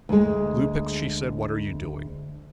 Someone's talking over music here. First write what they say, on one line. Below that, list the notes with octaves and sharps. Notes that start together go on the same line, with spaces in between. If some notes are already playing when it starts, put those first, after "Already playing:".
"Lupex," she said, "what are you doing?"
D2 G#3